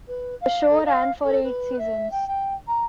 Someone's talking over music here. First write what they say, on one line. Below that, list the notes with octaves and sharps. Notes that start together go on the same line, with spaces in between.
The show ran for eight seasons.
B4
F5
A4
F5
A4
B4
E5
G5
G5
A#5